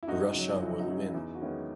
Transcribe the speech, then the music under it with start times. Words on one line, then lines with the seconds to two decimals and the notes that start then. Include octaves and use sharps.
Russia will win!
0.03 E4
0.07 F#2 D#4 F#4
0.34 C#3 F#3
0.53 E4
0.61 F#2 D#4
0.79 D#4 F#4
0.88 C#3 F#3
1.09 E4
1.14 E2 D#4
1.35 F#4
1.41 D#3 G#3 B3 C#4 E4